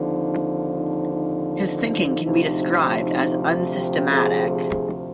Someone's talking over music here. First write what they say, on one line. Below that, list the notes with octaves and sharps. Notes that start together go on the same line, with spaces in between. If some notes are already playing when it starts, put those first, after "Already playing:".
His thinking can be described as unsystematic.
Already playing: D#2 D3 F3 C4 D#4
D#4
D#4
D2 C3 F3
D#4
G4
G#4
G#4